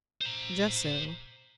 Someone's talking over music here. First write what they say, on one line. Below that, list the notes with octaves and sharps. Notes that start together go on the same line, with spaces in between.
"Just so."
C5 A#5